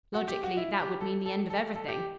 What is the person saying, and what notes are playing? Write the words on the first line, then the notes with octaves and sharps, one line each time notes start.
Logically, that would mean the end of everything.
F#4
G4
F#4
E4
G4
A4
A4
A4
A4
G4